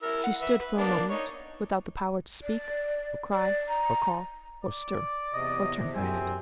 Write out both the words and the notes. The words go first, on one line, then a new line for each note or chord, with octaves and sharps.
She stood for a moment without the power to speak, or cry, or call, or stir, or turn her head.
E4 A#4 E6
F#5
B4 E5
B4
A#3 B3 D4
D#4 C#5
D5
D5
A#5
D5
E2 C3 D#5
F#2 C4 G#5